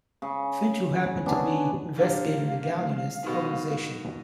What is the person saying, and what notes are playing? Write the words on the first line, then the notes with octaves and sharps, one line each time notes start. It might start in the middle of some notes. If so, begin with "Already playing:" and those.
Finch, who happened to be investigating the "Galleanist" organization.
C#3
B3 C#4 D4 G#4
A#2 D3 G3 F5
B2 D#3